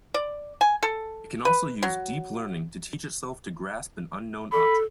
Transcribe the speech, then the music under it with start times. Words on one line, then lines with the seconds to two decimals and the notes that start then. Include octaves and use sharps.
It can also use deep learning to teach itself to grasp an unknown object.
0.14 D5
0.61 G#5
0.83 A4
1.45 B4
1.83 F#3
4.52 A4 B5